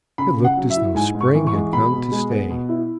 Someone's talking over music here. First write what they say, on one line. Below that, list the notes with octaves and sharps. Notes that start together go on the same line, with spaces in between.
It looked as though spring had come to stay.
C#3 B5
C#3
F#5
F#3
E5
E4
G#2 G#5
G#2
C#6
E3
C#6
G#3
B2 B5
B2
G#3
B3
B2
E4